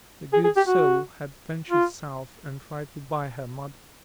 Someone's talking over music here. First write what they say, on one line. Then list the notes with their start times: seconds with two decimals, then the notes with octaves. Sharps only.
The good soul had ventured South and tried to buy her mother.
0.33 G#4
0.44 G#4
0.56 G4
0.67 F#4
1.70 F4